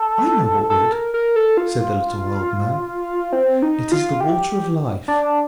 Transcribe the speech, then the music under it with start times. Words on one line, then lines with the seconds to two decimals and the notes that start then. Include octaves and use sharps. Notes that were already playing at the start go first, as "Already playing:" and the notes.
'I know what would,' said the little old man; 'it is the Water of Life.
Already playing: A4
0.70 A4
0.92 A#4
1.14 A#4
1.36 A4
1.57 F4
3.33 C4
3.62 D#4
3.92 F4
4.20 G4
5.08 D4